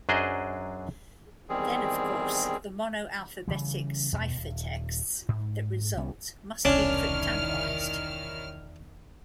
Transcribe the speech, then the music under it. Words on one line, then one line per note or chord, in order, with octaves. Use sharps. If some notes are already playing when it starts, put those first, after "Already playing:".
Then, of course, the monoalphabetic ciphertexts that result must be cryptanalyzed.
F#2 F#3 D4 G#4 C5 D#5
E2 D#3 G3 C4 G#4
C#3 E3 G3
E2 G2 B2
D#1
G#2
C2 G3 B3 C#4
E1 C2 D#3 C#4 D4 E4 F6